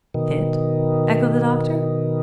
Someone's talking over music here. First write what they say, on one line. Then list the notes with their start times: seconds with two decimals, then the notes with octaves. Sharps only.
"Fit?" echoed the doctor.
0.14 B2 D#3